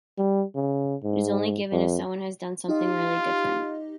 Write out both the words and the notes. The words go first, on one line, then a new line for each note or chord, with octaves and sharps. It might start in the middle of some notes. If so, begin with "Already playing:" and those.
It is only given if someone has done something really different.
G3
C#3
G#2
F2
D#4 F4 G4 D#5